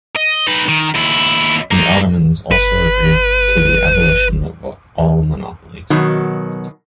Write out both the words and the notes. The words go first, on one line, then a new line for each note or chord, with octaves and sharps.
The Ottomans also agreed to the abolition of all monopolies.
D#5
D#4 B4
D#3
D#2 E4
A#3 D#4
G1 B4
B2 D#3 F#3